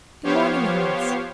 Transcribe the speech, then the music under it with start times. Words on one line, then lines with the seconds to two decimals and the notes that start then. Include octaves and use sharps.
'Good morning, Hans.
0.23 F3 B3 G4 C5 C#5 F5